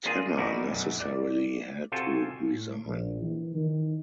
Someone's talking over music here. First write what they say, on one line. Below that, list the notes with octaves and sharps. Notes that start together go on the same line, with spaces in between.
Tanner necessarily had to resign.
A#3 D4 F4 G#4
E2 D#4 E4 F#4 A#4 D5
B1 F#2
D5
C3 F4 F#4 A4 G5 G#5
A2
A#1
E3
D#3